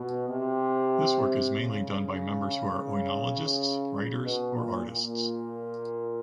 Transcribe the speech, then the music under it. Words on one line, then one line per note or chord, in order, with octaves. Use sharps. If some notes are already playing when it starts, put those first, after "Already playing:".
This work is mainly done by members who are oenologists, writers or artists.
Already playing: B2
C3
C#3
B2
A#2
A#2